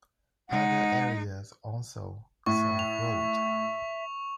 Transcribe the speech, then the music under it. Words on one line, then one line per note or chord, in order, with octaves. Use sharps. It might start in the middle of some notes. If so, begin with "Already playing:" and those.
Other areas also saw growth.
G#3 D#4 F#5
A2 E5 C#6
F7